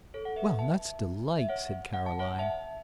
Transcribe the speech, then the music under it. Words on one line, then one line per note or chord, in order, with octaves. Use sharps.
"Well, that's delight," said Caroline.
A4 C#5
F#5
B4 E5
E5 A5
E5
C#5 F#5
F#5
A5
C#5 F#5
E5 A5